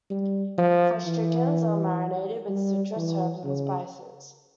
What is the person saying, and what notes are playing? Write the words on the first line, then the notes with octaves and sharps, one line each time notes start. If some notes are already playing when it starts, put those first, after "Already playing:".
Fresh chickens are marinated with citrus, herbs and spices.
G3
F3
E3
G3
E3
C#3